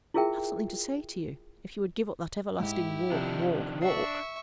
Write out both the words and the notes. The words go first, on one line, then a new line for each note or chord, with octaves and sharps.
I have something to say to you, if you would give up that everlasting walk, walk, walk.'
E4 F4 G#4 A#4 E5 G5
G#2 E4 G4
C3 D#3 F3 D4 D#4
D4 E5 C#6 C7